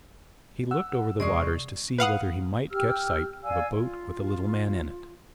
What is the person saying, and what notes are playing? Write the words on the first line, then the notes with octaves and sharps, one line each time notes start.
He looked over the waters to see whether he might catch sight of a boat with a little man in it.
F#5 E6
E2 C3 G#3 D5 C#6 D#6 C7
B4 F5 F#5 D#6
G4 E6 F6
D5 F5 G#5 E6
F4